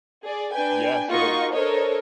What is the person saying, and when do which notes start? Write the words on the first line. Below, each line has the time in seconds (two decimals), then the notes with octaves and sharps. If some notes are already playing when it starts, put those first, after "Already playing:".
Yeah, so,
0.23 G#4 D5
0.52 D4 B4 G5 G#5
1.09 A#3 D#4 F4 F#4 D#5 C#6
1.53 D4 A4 A#4 C5 C#5 D#5